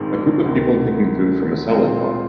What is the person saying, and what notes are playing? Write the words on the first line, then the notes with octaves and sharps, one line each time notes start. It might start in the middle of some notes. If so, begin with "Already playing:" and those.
A group of people taking food from a salad bar.
Already playing: A#1 G#2 D#3 G#3 C4
D2 C3 D#3
A#2 G#3 C4 F4 G#4